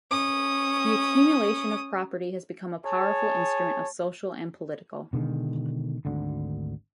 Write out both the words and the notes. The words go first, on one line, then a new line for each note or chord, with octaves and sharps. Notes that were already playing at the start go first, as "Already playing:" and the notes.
The accumulation of property has become a powerful instrument of social and political.
C#4 D#6
G#4 C#5 A5
B2 D3 D#3 G#3
G#1 D2 D3